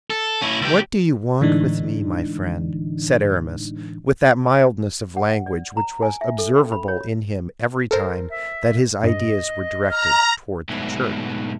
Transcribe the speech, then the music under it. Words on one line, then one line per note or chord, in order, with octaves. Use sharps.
"What do you want with me, my friend?" said Aramis, with that mildness of language which was observable in him every time that his ideas were directed toward the Church.
A4
C#4 E4
C#2 G4
A2 D3 E3 G#3 D4 D#4
F#5
D5
A#5
G#5
E5
A4
C#4
B5
C#5
A4 A#4 C5
E5
G2 D#5
A#5 F6
G#2 B2 F#3 A3